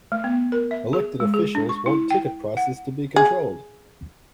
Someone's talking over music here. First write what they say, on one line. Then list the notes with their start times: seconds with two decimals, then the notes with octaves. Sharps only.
Elected officials want ticket prices to be controlled.
0.12 A3
0.24 B3
0.52 A#4
0.71 E5
0.93 G#4
1.20 G#3
1.34 G#4
1.55 D4
1.69 C#6
1.86 E4
2.11 G5
2.57 F#5
3.16 G#4